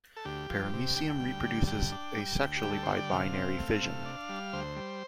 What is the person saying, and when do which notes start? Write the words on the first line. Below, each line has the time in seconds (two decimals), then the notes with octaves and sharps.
"Paramecium" reproduces asexually, by binary fission.
0.16 A4
0.25 D2 G4
0.49 F3
0.73 C3
0.96 D2 G5
1.20 G3
1.44 D3
1.67 G2 G5
1.92 D4
2.15 G3
2.40 D2
2.56 G4
2.63 G3
2.70 A4
2.83 D3 C5
2.97 D5
3.11 C3 F5
3.34 C4
3.58 A3
3.82 C3
4.05 D4
4.29 G3
4.53 D2 C5
4.76 G3